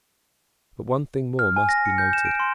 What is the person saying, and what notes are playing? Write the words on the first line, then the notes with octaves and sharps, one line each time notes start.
But one thing more must be noted.
F6
G#5
A#6
C#7
G6
E7
D7
C6